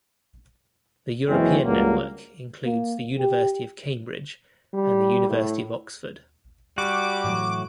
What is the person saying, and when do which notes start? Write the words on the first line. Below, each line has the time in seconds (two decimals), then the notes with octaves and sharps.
The European network includes the University of Cambridge and the University of Oxford.
1.29 F#1 E3 G#3 C4 C#4
1.63 C#2 G2 F#3 A#3
2.65 A#3
3.18 G4
4.74 G3
5.29 A2
6.78 G3 F#4 D6
7.24 A2 E3 F#3